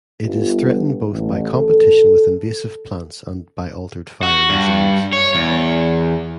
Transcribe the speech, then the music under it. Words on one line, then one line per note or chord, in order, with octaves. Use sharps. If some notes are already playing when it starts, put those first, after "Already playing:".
It is threatened both by competition with invasive plants and by altered fire regimes.
G1
A1
A4
F#4
G2
C#5
E2